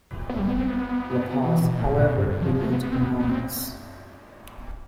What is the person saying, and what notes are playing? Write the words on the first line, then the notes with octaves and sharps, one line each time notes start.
LaPaz, however, remained anonymous.
B3
A3
G3
B3
C4
B3
E3
B2
A2
B2
G2
G2
F3
F3
A3
B3
B3
C4
B3
B3
C4